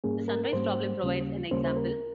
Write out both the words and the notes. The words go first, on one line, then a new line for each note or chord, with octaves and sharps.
The "sunrise problem" provides an example.
G#2 G3 A#3 C#4 G#4
A#4
A#4
G#2 G3 A#3 C#4 C5
D#2 C#3 G3 A#3 C#4
D#2 C#3 G3 A#3 C#4 C5
C5
A#4